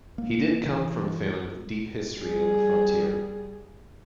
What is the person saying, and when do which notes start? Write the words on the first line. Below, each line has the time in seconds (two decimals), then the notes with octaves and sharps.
He did come from a family with deep history on the frontier.
0.18 A#3
0.65 E3
2.16 G3 G#4